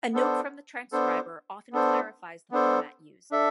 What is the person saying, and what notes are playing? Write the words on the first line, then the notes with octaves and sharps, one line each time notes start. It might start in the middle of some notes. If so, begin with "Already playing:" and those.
A note from the transcriber often clarifies the format used.
B3 D4 A4 C5
B3 D4 A4 C5
B3 D4 A4 C5
B3 D4 A4 C5
D4 A4 E5